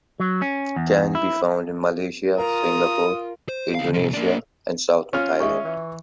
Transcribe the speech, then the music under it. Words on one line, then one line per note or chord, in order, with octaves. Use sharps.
It can be found in Malaysia, Singapore, Indonesia and Southern Thailand.
F#3
C#4
E2
E4
F4 A#4 F5 A#5 D#6
C5
D2 F5
C2 F3
A#3 D4
C#4 F4 F6
G#3 E5 C#6
E3